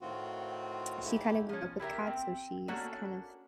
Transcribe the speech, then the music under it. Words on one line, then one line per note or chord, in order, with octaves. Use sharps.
she kinda grew up with cats, so she's kind of
A2 D#3 C4 F4 F#4
G#2 A3 E4 G4
F3 C#4
E4 G4 A#4 E5
C4
A#3 C#4 D4 F#4 A4